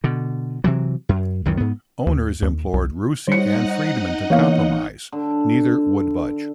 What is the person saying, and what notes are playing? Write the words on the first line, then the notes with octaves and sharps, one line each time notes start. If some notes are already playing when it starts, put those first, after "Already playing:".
Owners implored Rusie and Freedman to compromise; neither would budge.
B2 D3
C3 E3 F#3
F#2
C#2 F#2 D#3 E3
G#2 B3
D#2
D#2
C2
G3 D#4 C5 C#5 D#5 F#5 C#7
E3 A#3 B3 C#5 F5
D3